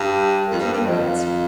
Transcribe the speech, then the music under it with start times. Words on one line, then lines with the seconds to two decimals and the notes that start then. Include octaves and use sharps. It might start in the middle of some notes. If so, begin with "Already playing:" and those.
She made no answer.
Already playing: G2 G4
0.46 A#4
0.52 F2
0.59 G2 C5
0.73 G2 C5
0.87 F2 D#5
1.01 G5
1.05 F5